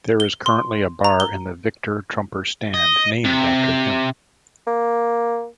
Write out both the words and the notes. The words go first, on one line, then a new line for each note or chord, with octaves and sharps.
There is currently a bar in the Victor Trumper Stand named after him.
G7
C6
A#5
G7
D#5
C3
A#3